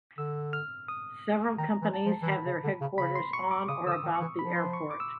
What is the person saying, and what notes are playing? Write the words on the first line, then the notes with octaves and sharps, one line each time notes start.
Several companies have their headquarters on or about the airport.
D3 E6
F6
D#6
D#3 A#5
E3
A5
F3
E3
D#3 B5
C#3
D3
C#3
C#3 B5
C6
C#6
D6
C#3 D#6
D3 E6
D#6
D#3
C#6
E3
F3 B5
C6
C#6
D6
E6